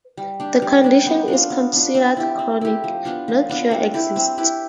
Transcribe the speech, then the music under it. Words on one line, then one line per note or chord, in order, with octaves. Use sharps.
The condition is considered chronic; no cure exists.
G3
D4 G4
G3
D4 G4
B3
D4
F4
B3
D4 F4
C4
E4 G4
C4
E4 G4
F3
B3 D4 F4
F3
B3 D4 F4
C4
E4 G4 B4
C4
E4 G4 B4